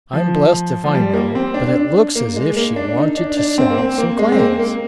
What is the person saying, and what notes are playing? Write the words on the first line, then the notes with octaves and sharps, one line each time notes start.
"I'm blessed if I know, but it looks as if she wanted to sell some clams."
F3
F3
G3
A#3
C4
D4
D4
A#3
G#3
A#3
D4
D#4
D4
D4
C4
A#3
C4
A#3
G#3
C4
A#3
A#3